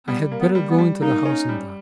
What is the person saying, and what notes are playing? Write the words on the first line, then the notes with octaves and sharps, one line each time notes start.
I had better go into the house and die.
G3 B3
A#3
B3
G3
B3
G3
A#3 D#4
C#4
G3